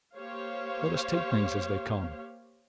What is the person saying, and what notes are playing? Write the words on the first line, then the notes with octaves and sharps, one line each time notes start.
Let us take things as they come.
A#3 G4 C5 C#5 F5